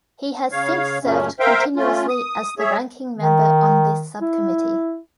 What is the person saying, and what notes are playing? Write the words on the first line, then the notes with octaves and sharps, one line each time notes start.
He has since served continuously as the Ranking Member on this Subcommittee.
C#3 C#5 F5
F#2 A#2 C#3 A3 C#4
A#4 C5 E5 F5 G5
A3 C#4 F4
D#6
G#4 C#5 E5
D#3
E4